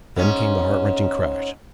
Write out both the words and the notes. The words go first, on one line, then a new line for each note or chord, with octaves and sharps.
Then came the heart-rending crash.
G#2 C#4